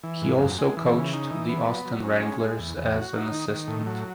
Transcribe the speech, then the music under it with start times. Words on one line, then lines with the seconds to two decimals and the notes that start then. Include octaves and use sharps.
He also coached the Austin Wranglers as an assistant.
0.03 E3
0.22 G#2
0.40 F#2
0.58 G#3
0.77 E3
0.95 C#3
1.13 D#4
1.31 E3
1.49 B3
1.68 F#3
1.86 F#3
2.04 C#4
2.22 G#3
2.40 G#3
2.59 E2
2.77 E2
2.95 F#4
3.13 D#4
3.32 D#3
3.50 D#3
3.68 A2
3.87 F#3